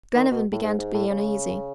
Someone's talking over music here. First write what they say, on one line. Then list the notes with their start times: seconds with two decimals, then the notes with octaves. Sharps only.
Glenarvan began to be uneasy.
0.15 D#3
0.31 B2
0.52 A2
0.63 G#2
0.78 G#2
0.94 A2
1.10 C#3